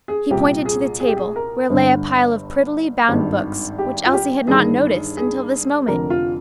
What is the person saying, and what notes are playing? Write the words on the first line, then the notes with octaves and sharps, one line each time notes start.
He pointed to the table, where lay a pile of prettily bound books, which Elsie had not noticed until this moment.
G#4
C2 A#2 G4
G#4
G#4
G4
G#4
A#4
G1 G2 D3
G#1 G2 D#3
G4
F4
G4
G1 G2 D#3 G#4
G#4
F1 F2 D3 A#4
F4